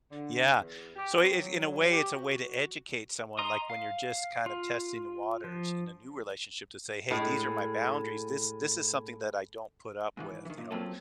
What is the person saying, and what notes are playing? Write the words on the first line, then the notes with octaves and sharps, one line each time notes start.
Yeah. So it in a way, it's a way to educate someone, like, when you're, just, kind of, testing the waters in a new relationship to say, "Hey, these are my boundaries. This this is something that I don't put up with, you know,
D3
E2
G4
C4
F#3
G4
F#4
D#5 A#5 C6 D#6
F5
F4
F3
A2 G#3
G#2 D#3 E3
D#3 E3
A#2
F#3 A#3 C4 C#4 F4 A4